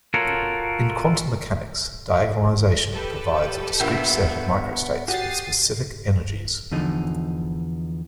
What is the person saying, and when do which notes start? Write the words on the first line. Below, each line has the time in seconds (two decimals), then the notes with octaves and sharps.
In quantum mechanics, diagonalization provides a discrete set of microstates with specific energies.
0.14 F4 F#4 A4 A#4 C#5
2.92 G4 A4 B4
3.80 A#1 B3 E5 G5
5.08 F#4 G4 D#6 A6 C7
6.71 E2 D3 F3 D#4